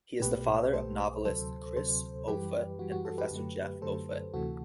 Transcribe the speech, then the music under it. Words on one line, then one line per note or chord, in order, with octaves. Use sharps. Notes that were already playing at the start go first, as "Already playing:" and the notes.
He is the father of novelist Chris Offutt and professor Jeff Offutt.
B1 B2 A3 G4 B4
B1 B2 A3 A4 C5
D2 C3 F#3 A4 C5
D2 C3 F#3 A4 C5
F#2 E3 G3 G4 B4
F#2 E3 G3 F#4
F#4
F#4 A4
G4 B4
F#2 D3 F#3 A3
F#2 D3 F#3 A3 A4 C5
D2 C3 E3 A3 F#4 A4